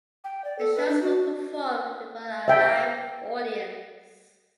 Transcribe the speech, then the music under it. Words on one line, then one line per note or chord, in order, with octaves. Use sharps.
The shows were performed before a live audience.
G5
D5
A4
B4
D4
F#4
E5 G5